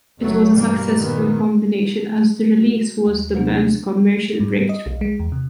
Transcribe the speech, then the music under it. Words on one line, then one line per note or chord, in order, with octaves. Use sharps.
It was a successful combination as the release was the band's commercial breakthrough.
F#1 F#3 A3
G2 B2 E3 G3 A#3
A#2 D#3 B3
F#4
D#2
C3 F#3 A#3 B3 D4
G#2
G3
D#5
B1
G#3
E2
C3